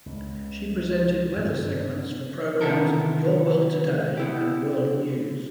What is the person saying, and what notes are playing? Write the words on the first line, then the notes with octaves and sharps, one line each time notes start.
She presented weather segments for the programs "Your World Today" and "World News".
C#2
G2 D3 D#3 C4
C3 D#3 E3 B3 A4 A#4
B3 E4 G4